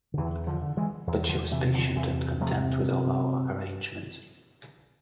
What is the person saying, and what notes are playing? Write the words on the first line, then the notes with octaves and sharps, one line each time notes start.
But she was patient and content with all our arrangements.
D3
E2 E3
D3 F3
D3
E3 G#3
E2
D3 F3
C3 E3
D3 F3
E2 E3
C3 F3 A3